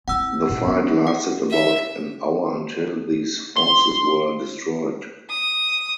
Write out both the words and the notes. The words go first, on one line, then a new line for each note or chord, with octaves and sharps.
The fight lasted about an hour until these forces were destroyed.
C4 E4 F#5 E6
A#2
B3 D4
F#5
E5
C6
D#6